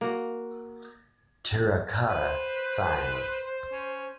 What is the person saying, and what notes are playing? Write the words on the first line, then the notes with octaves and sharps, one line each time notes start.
Terracotta Sighing.
A#3 F#4
B4 C5
C#4